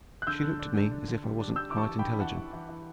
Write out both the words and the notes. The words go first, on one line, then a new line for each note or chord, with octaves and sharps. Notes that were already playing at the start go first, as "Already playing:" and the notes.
She looked at me as if I wasn't quite intelligent.
F#6
D3 E6 G6
D3
D4
D3
D4
D3
G3
D4
G3 E6 G6
E3 D6
A5 C#6
E3
G5 B5
D4
B5
E3 F#5 A5
E3
E3
E3